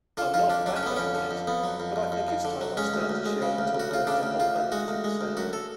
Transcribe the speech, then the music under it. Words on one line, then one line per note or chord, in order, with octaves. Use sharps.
I'm not Batman yet, but I think it's time I start to share what I've learned to help others do the same.
D3 F4
F2 F4
F2 D4
F#3 D4
C#4
D3 B3
F2 C#4
D3
F2
F2 B3
F#3
F2
F2
F2
F2
D3
F#3
G#3 C#4
D2
D2
G#3
C#3
D2
D2
F#4
D2 F4
C#3 D4
D2
D2 F4
D2
G#3 F#4
D2
G#3
D2
F#2 F#4
A4